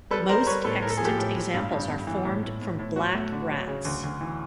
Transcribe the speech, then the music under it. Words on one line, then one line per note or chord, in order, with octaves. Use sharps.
Most extant examples are formed from black rats.
G3 A4 B4
G3 A#4 C5
G3 B4 C#5
A2 A4 B4
A2 A#4
A4
G#4
F3 G4 A4
A2
A2
G2 F4
G2
G2
E3
A2
A2
A2
A2
F#3 F#4
A3
D3
F#3
C#3
D2
D2
E3